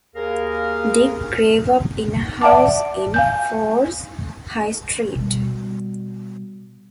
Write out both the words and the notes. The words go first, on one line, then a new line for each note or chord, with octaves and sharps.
Dick grew up in a house in Forres High Street.
D#2 G#4 A#4 F5
D5 E5 F#5 A5 D6
F5 G#5 G6
B2 G3